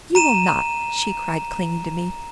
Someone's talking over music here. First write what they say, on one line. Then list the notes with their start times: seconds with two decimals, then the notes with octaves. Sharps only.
"You will not!" she cried, clinging to me.
0.15 A#5 D#7 E7